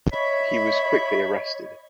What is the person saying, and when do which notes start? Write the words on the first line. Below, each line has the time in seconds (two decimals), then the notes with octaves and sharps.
He was quickly arrested.
0.12 C#5 D#5 E5 B5